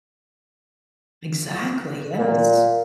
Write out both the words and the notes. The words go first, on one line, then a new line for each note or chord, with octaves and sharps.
Exactly, yes.
A#2